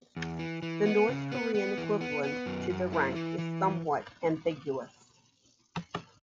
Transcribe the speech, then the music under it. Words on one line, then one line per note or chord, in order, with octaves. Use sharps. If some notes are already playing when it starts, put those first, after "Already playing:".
The North Korean equivalent to the rank is somewhat ambiguous.
E2
E3
E3
B3
C#3
B3
B3
E3
B3
B3
F#2
F#2
E4
E3
E3